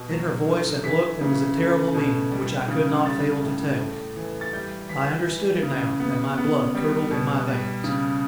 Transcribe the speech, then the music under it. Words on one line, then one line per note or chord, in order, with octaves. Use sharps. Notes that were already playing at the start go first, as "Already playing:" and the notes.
In her voice and look there was a terrible meaning, which I could not fail to take. I understood it now, and my blood curdled in my veins.
Already playing: B2
F#3
D3
E3 B6
C#3
A3
B2
G3
C#3
G3 A6
A2
A3
E3
A6
G3 G6
E3 B6
E3
C#3
B3
B3
G3
B2
G3
C#3